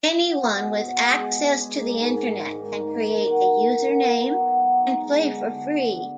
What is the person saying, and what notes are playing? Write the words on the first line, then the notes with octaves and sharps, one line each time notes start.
Anyone with access to the Internet can create a username and play for free.
F#4
B2
B2
B2
G#3
G#3
D4
G#3
A#3
G#2
G#2
G#2
D#3
D#3
A#3
D#3
F#3
D#3
D#3
B3
F#3
F#3
B3
F#3
D#4
G#3
D3
D3
D3
D3
D3